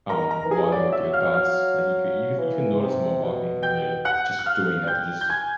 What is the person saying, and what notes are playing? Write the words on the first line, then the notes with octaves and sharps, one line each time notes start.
um, wander with your thoughts, like you could you could you can notice them while walking when you're just doing nothing, just
A#4 A#5
D#3
A#4 A#5
E3
G#4 G#5
F#3 D5 D6
E5 E6
F5 F6
F5 F6
E3
C3
B2
G5 G6
F#5 F#6
F#6
F5 F6
G5 G6
G6
G#5 G#6